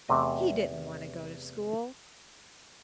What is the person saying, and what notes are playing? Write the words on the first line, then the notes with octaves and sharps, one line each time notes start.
He didn't want to go to school.
E2 C3 A3 D#5